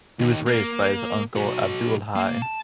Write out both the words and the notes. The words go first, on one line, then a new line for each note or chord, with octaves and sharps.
He was raised by his uncle Abdul Hai.
D#2 D#4
A#3
B1 F#4
A#3
A5